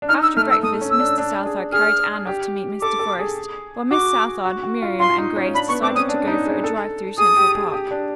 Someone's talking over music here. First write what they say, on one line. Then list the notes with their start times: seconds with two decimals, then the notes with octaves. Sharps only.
After breakfast Mr. Southard carried Anne off to met Mr. Forest, while Miss Southard, Miriam and Grace decided to go for a drive through Central Park.
0.02 D4
0.08 D#4 F6
0.22 E6
0.36 A3 F6
0.50 E6
0.63 A3 D#6
0.81 C#4
0.90 E6
1.00 D4
1.18 D4
1.46 G#4
1.72 G#4 F6
2.27 G4
2.81 A4 D6
2.99 A4
3.19 G#4
3.91 F#4 D6
4.45 F#4
4.63 F#4
4.82 F4
4.99 F4 C6
5.18 D#4
5.36 C#4
5.54 D4 B5
5.68 B3 C#6
5.82 C4 D6
5.95 C#4 D#6
6.09 D4
6.27 D#4
6.45 G#4
6.64 A4
7.18 G#4 D#6
7.36 G4
7.55 G#4
7.73 G4
7.91 D4